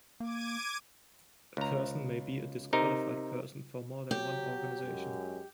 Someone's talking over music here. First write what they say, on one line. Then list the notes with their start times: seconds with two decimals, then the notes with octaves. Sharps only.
A person may be a disqualified person for more than one organization.
0.20 A#3 D6 G#6 D#7
1.57 C#2 A#5
2.73 C3 D#4 A#4
4.11 F#3 G4
4.82 F#2 G#3